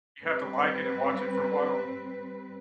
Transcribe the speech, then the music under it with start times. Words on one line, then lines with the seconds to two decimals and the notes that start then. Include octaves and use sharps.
You have to like it and watch it for a while?
0.23 G3 C4 B4